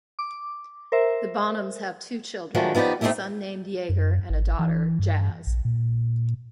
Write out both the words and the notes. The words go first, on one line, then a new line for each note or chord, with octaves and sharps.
The Bonhams have two children: a son named Jager and a daughter, Jaz.
D6
A#4 C5 E5
D#3 F3 F#3 G#3 A3 D4
F3 B3 D#4 G4 D5
A3 C4 C#4 D#4 E4 G4
F#2
G#1
E3
G2
A#1
A#2